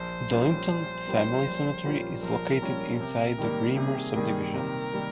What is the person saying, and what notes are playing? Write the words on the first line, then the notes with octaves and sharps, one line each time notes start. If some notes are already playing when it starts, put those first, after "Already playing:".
The Linton family cemetery is located inside the Braemar subdivision.
Already playing: A#1 C5
A#2 G3 C#4 F4
A#1
A#2 G3 C#4 F4
A#1
A#2 G3 C#4 F4
A#1 A#4
A#2 G3 C#4 F4
C3 A#4
D#3 G3 A#3
C3 G#4
D#3 G3 A#3
C3 A#4
D#3 G3 A#3